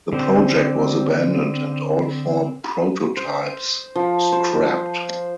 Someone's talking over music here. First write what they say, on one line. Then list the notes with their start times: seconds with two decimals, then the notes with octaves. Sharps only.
The project was abandoned and all four prototypes scrapped.
0.13 D3 C4
3.17 C5
3.96 F3
4.32 C5